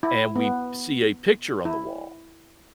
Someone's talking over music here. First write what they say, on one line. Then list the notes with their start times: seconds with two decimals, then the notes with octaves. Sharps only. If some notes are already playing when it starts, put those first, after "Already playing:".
and we see a picture on the wall,
0.03 E4
0.36 B3
1.65 E4